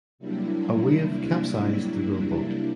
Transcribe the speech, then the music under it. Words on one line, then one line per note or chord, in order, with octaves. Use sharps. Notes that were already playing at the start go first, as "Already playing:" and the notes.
A wave capsized the rowboat.
C3 F#3 G3 A#3 D4 E4